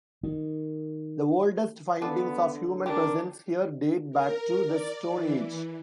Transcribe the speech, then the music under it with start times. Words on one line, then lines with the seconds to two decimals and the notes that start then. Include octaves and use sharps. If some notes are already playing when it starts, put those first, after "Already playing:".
The oldest findings of human presence here date back to the Stone Age.
0.23 D#3
2.02 D3 B3 D4 F4 A4
2.86 D4 G4 A#4
4.12 A#4
4.65 D5
5.07 E3